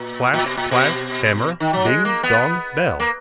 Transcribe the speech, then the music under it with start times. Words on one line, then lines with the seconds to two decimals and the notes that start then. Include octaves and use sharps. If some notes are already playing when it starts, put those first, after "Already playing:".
Clash, clash, hammer; ding, dong, bell!
Already playing: A#2
0.34 A#2
0.46 B2
0.57 A#2
0.71 B2
1.60 D#3
1.73 F#3
1.85 G#3
2.05 A#3
2.23 B3
3.00 A#3